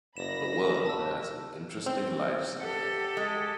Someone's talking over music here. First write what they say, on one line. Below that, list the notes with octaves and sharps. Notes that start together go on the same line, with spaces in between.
The worm has an interesting lifecycle.
F#1 B5 A#6 E7
D#2 A5 E6
C4 C5 E6
G4 A4 F#5
G#3